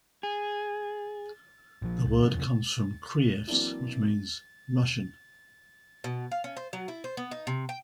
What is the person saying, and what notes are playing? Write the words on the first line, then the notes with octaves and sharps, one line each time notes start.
The word comes from "krievs", which means "Russian".
G#4
A#1 F3
C2
E2 A#2 C#3 F3
E2 C#3
E3 F#3 A#3 C4 D4 E4
B2
F5
C#4
C5
F#3
E4
C5
B3
D#4
C3
G5